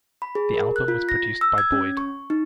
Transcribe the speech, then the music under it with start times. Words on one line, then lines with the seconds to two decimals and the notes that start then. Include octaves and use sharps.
The album was produced by Boyd.
0.22 B5
0.35 G#4
0.54 A#4
0.76 F#6
0.88 F4
1.09 A#6
1.41 E6
1.58 G#6
1.72 C#4
1.97 C#6
2.30 D#4